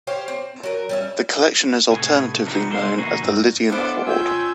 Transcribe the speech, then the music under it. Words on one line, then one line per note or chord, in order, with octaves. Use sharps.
The collection is alternatively known as the "Lydian Hoard".
G4 C5 C#5 F5
C4
F#3 A#4
G3 C#4 E5
A2 C3 B3 G#4 G#5
C3 F3 B3 C4 D4 D#4
C2 G#3 E4 C5 C6
A#2 C#3 E3 D#4 F#4 G#4
G2 C4
B3 D4 E4 A4 C5 F5 F#5 D6
C#4 F4 G5 G#5 E6 G6